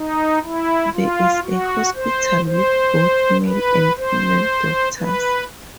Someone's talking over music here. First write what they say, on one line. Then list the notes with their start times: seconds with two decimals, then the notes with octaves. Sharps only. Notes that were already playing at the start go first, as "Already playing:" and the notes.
There is a hospital with both male and female doctors.
Already playing: D#4
0.44 E4
0.94 F4
1.45 F#4
1.95 C5
2.46 C5
3.47 B4
3.98 C5
4.98 B4